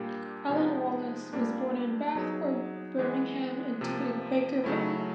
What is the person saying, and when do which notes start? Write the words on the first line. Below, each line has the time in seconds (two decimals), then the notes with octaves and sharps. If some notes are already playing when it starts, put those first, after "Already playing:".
Ellen Wallace was born in Bath or Birmingham into a Quaker family.
Already playing: A#2 G3 A#3 D4 G4
0.49 C3 F3 G#3 B3 D#4
1.33 A#2 G3 A#3 D4
2.15 F#3 B3 D#4 G#4
2.99 E3 G#3 B3
3.81 C3 F3 A#3
4.64 C#3 F#3 A3 C#4 E4